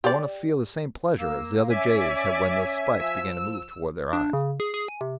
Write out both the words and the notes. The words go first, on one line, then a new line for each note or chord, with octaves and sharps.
I want to feel the same pleasure as the other jays had when those spikes began to move toward their eyes!'
G4 D5
A#3 E6
C#4 D5 E5 G#5
F3 E6
D4
C#3
G#4
G#4
G#5
C3